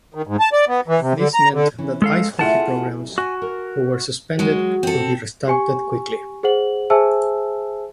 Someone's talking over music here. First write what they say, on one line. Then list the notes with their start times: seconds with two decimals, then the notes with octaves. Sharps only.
This meant that the ice hockey programs who were suspended could be restarted quickly.
0.14 D#3
0.27 G#2
0.40 A5
0.53 D5
0.68 B3
0.88 E3
1.01 C3
1.18 D3
1.34 A#5
1.53 D3
1.78 E3 C#4
2.02 G#3 A4 F5
2.39 A3 E4 F4 G#4 F#5 A5
3.18 F#4 G#5
3.42 A#4
4.39 F#3 G#3 F#4
4.83 C4 A4
5.48 G4 G#5 C#6
6.43 G#4 C5 F#5 F#7
6.90 G#4 C5 E5 G#5 A5 E6